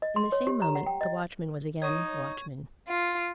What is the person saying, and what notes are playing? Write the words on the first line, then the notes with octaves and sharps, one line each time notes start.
In the same moment the watchman was again watchman.
D#5
C6
C#5
G4
A#5
F#5
G5
D#5
D#4 C#5 C#6 D#6 G#6
F4